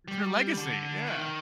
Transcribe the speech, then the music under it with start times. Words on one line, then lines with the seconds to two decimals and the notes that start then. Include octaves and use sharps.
It's her legacy, yeah.
0.08 G3
0.57 D3
1.07 D#3